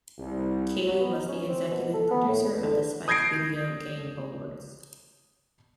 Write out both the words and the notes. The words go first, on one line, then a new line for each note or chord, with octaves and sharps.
Keighley was the executive producer of the Spike Video Game Awards.
C2
F#3
B3
D#4
C#4
C4
B2
A4
B3
A2
E2
D3
D#6 G6 G#6 A#6 C7 D7